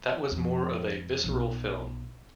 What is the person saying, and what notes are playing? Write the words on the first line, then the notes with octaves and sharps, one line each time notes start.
That was more of a visceral film.
F2
B1 B2